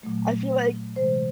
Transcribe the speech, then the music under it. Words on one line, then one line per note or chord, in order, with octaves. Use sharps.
I feel like
A#2 F#3 A3
C3 E3 G#3 C5